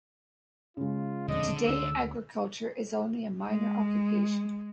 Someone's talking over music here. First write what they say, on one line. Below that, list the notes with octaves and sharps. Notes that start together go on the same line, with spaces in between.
Today, agriculture is only a minor occupation.
C#3 G#3 F4
D#1 F2 D3 D#5
D2 E6
G#3